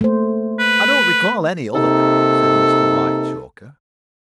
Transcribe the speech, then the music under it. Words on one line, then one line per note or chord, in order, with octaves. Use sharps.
"I don't recall any other," said Mr. Whitechoker.
A3 A#3 C5
B4
C3 A#3 D#4 A4